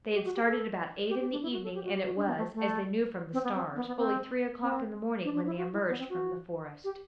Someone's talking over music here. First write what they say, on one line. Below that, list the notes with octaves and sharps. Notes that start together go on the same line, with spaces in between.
They had started about eight in the evening, and it was, as they knew from the stars, fully three o'clock in the morning when they emerged from the forest.
G4
F#4
G4
A4
G4
G4
D4
E4
F#4
A4
G4
F#4
G4
F#4
D4
B3
A3
A3
C4
B3
C4
B3
B3
C4
C4
D4
D4
E4
F#4
E4
B3
C4
F#4
G4